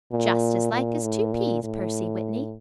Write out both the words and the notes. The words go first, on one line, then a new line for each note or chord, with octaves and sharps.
"Just as like as two peas, Percy Whitney."
A#2
A#2
A2
A#2
A2